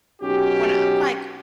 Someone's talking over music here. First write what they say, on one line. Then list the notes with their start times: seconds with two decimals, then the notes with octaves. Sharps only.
when I'm like,
0.22 B1 C#4 D#4 F#4 G4